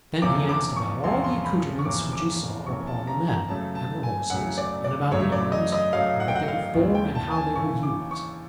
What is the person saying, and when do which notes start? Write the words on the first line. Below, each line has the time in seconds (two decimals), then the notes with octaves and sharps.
Then he asked about all the accoutrements which he saw upon the men and the horses, and about the arms, and what they were for, and how they were used.
0.22 E2 C3 F3 A#3 C#4 D6
0.49 D6
0.76 C#6
1.04 E2 C3 F3 A#3 C#4 C6
1.24 C6
1.44 B5
1.79 C#6
1.85 E2 C3 F3 A#3 C#4 D6
2.13 D6
2.66 E2 C3 F3 A#3 C#4 C#6
2.87 A5
3.07 A#5
3.28 A#5
3.48 F#2 C#3 F#3 A3 A5
3.75 A5
4.03 G#5
4.30 F#2 C#3 F#3 A3 F#5
4.58 D5
4.84 D5
5.11 F#2 C#3 F#3 A3 C#5
5.32 D5
5.52 D#5
5.72 D#5
5.93 F#2 C#3 F#3 A3 F5
6.20 F#5
6.28 G5
6.36 F#5
6.48 F5
6.74 D#2 C#3 E3
6.95 G5
7.15 A5
7.31 G#5
7.36 A5
7.56 D#2 C#3 E3 C#6
7.83 D6
8.11 C#6